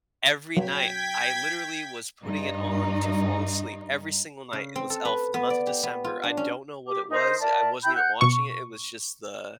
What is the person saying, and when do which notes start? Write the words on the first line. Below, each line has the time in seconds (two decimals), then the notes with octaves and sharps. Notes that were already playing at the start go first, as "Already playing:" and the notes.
every night, I literally was putting it on to fall asleep. Every single night, it was Elf. The month of December, I don't know what it was, I wasn't even watching it, it was just the
0.57 F#3 G5 G#6 B6
2.23 G2 D#4
4.53 C#3
4.76 C4
4.90 A4
5.05 B4
5.34 B3
5.50 D5
5.67 G4
5.83 B3
6.04 F4
6.23 D4
6.37 C#4
6.86 G4 D6
7.09 D#4 A#4 C5
7.39 A#4 D5 E5 A5
7.83 E4 G5 B5 G6
7.95 F#5 F#6 G6
8.21 B2 C#6